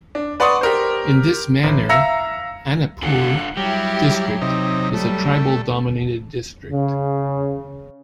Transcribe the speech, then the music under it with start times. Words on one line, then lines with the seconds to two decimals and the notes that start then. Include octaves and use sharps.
In this manner, Anuppur District is a tribal dominated district.
0.15 D4
0.40 B4 D5 F#5 C6 C#6 D#6
0.61 G4 A#4 C5
1.63 A1
1.89 E5 F5 A#5 E6 A#6 C#7
3.02 D4 F4 A4 F#5
3.57 F#3 G3 E4 G4
4.42 C3 D#4
4.94 G3 A3
6.72 C#3